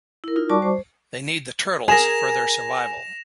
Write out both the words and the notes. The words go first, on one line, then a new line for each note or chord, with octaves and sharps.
They need the turtles for their survival.
E4 A#4
D#4 F4 A#4
G3 F#4 D5 A5 C#6 D6
C5
G#4 A#4 G#5 A#6 E7 F7